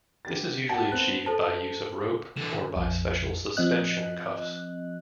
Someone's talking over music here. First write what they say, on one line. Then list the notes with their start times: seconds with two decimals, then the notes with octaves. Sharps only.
This is usually achieved by use of rope or by special suspension cuffs.
0.25 D3 G4 A6
0.69 G4 F#5 G5 A5
0.92 B3 C4 F#6
1.26 A4 C5 A5
2.36 D3 E3 E7
2.76 A#1 F2
3.57 F3 C4 D#5 F#6